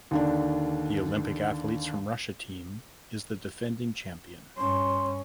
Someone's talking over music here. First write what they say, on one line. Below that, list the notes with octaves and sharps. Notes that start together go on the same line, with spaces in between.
The Olympic Athletes from Russia team is the defending champion.
D#2 D3 D4
G2 C#4 C6